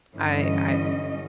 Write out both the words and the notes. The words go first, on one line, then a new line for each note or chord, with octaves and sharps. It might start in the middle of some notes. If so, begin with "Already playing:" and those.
I I
G2 D3 E3 G3 C#4 D#5